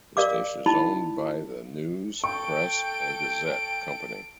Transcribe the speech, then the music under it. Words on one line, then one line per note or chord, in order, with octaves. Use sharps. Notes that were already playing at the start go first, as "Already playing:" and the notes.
The station is owned by the News-Press and Gazette Company.
A#4 D5 F5 D6
D#4 E4 A5 B5
A4 G5 C#6 D7